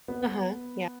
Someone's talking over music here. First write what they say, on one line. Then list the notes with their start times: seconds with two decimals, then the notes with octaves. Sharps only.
Uh-huh, yeah.
0.08 B3